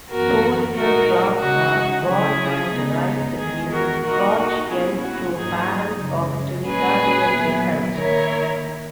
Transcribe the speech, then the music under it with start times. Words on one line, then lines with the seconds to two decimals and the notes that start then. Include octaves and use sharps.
Sonia Clarke was born and raised in Crouch End to parents of Trinidadian descent.
0.10 F#2 E3 B3 F#4 A#4
0.76 A#2 G#3 D#4 F#4 A#4
1.40 C#3 G#3 D#4 F#4
2.07 C#3 F#3 C#4 E4 G#4
2.72 C#3 G#3 B3 D#4
3.38 E2 D#3 G#3 G#4
3.71 F#4 A#4
4.03 A#2 A#3 D#4 F#4 A#4
4.37 F#4
4.69 B2 A#3 C#4 E4 G#4
5.03 F#4
5.35 G#2 F#3 A#3 D#4 G#4
6.01 F#2 C#3 G#3
6.66 A#2 G#3 C#4 G#4 B4
7.31 A#2 F#3 B3 E4
7.97 D#3 A#3 E4 A#4 C#5